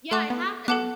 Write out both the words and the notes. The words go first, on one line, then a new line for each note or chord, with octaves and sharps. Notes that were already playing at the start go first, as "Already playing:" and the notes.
Yeah, it happen.
A3 A4 F#5 A5 D6 F#6
B3
B3 A4 F#5 A5 D6 F#6